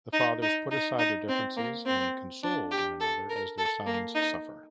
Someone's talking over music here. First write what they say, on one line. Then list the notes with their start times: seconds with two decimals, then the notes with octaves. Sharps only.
The fathers put aside their differences and console one another as their sons suffer.
0.13 D#4
0.42 D#4
0.71 D#4
0.99 D#4
1.29 C4
1.57 A#3
1.86 C4
2.43 D4
2.71 G4
3.00 A4
3.29 A#4
3.58 A4
3.86 A#3
4.15 D#4